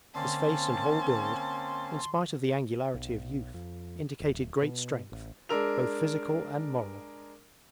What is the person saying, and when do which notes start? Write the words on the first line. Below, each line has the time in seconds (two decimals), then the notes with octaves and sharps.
His face and whole build, in spite of the angularity of youth, indicated great strength, both physical and moral.
0.15 D3 A#3 C4 C#4 A5 C6
2.94 B1
3.54 F2
4.20 D#1
4.62 B2
5.12 A1
5.49 G#3 D4 A#4 E6 F7